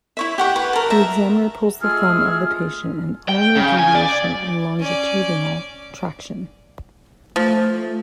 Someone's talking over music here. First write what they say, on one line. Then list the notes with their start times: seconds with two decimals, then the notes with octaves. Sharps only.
The examiner pulls the thumb of the patient in ulnar deviation and longitudinal traction.
0.17 E4 C#5 E5
0.38 G4 F#5 C#6
0.56 B4
0.73 A4 A#4
0.90 E5 A#5
1.83 G#3 A3 F4 G#4 A4 F6
3.29 G5
3.56 C#3
3.79 G#5
3.95 D5
4.79 C#4 D5
7.36 F3 A3